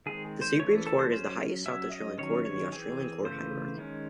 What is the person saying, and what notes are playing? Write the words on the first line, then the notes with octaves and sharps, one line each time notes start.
The Supreme Court is the highest South Australian court in the Australian court hierarchy.
D#3 G#3 C4 G#4
C5
E3 A3 C#4 C#5
A4
C5
F#3 C#4 C5
F#3 C#4 E5
D#5
D#3 F#3 C#4 C#5
C#5
E3 C4 G#4
C#3 E3 A3 C5
D#3 G#3 C#4